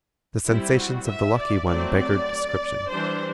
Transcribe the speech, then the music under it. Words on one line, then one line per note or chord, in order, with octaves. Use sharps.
The sensations of the lucky one beggared description.
G3 C4 E4
F#4
E5
D5
F#3 A3 C4 D5
D5
E3 G3 D4 C5